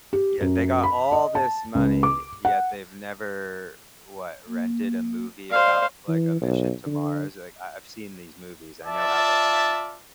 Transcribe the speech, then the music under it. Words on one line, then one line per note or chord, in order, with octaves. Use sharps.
Yeah, they got all this money, yet they've never, what, rented a movie about, like, a mission to Mars? Like, I I've seen these movies, I know how they end.
G4
F#2
B5
D#5
A5
C#2
D6
F#5
A#3
C5 D5 F5
E3
B1
D3
F4 D5 E5 A5